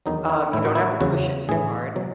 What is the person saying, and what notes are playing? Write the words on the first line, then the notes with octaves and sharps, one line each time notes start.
Um, you don't have to push it too hard.
E2 D#3 F#3 D#4
E4
A2 E3 E4
F#4
E4
E2 C#3 F#3 F#4
A2 E3 G#4
B2 F#3